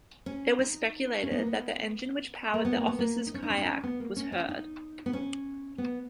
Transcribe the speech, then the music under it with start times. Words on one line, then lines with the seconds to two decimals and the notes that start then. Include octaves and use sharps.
It was speculated that the engine which powered the officers kayak was heard.
0.26 C#4
0.59 D#4
1.23 C#4
1.31 B3
1.39 A#3
1.47 B3
2.54 A#3
2.65 B3
2.76 A#3
2.88 B3
2.99 A#3
3.18 C#4
3.27 D#4
3.34 C#4
3.42 D#4
3.50 C#4
3.58 D#4
3.66 C#4
3.84 B3
4.00 A#3
4.17 C#4
4.32 C#4
4.49 D#4
5.06 B3
5.13 C#4
5.78 B3